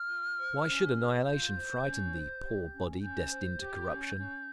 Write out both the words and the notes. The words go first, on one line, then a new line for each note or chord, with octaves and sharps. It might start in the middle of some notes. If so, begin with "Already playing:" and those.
Why should annihilation frighten thee, poor body, destined to corruption?
Already playing: F6
F4
C5
C#4
G#4
F4 G6
C5
C#4
C5
G4
C#4
C#4 G6
C5
G4
C#4
C#4